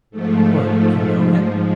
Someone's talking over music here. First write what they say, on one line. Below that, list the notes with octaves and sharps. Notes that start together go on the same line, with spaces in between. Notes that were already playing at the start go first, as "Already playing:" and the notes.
"What--you know him?"
G#2 F3 A3